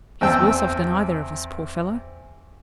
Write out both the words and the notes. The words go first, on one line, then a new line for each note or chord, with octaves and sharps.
He's worse off than either of us, poor fellow.'
E2 C4 G5 A5 E6